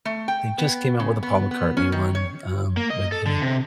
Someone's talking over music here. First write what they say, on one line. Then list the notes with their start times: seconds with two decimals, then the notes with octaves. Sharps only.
they, just, came out with the Paul McCartney one, um, when he
0.05 A3
0.28 G5
0.58 B3
1.00 C#3
1.23 B3
1.51 B3
1.77 C#4
1.92 D#3
2.15 C#5
2.77 A#3
2.90 D#5
3.12 A4
3.26 D3
3.42 C3